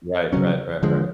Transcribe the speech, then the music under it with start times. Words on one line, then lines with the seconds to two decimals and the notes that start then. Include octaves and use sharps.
Right, right, right, right.
0.33 C#3 F#3 C#4
0.83 D3 F3 G#3